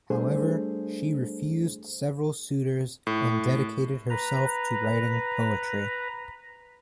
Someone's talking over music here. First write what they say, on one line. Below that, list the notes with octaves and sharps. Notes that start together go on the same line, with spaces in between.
However, she refused several suitors and dedicated herself to writing poetry.
G3 A3 D4 G#4 A4 C5
A2
B4 A#5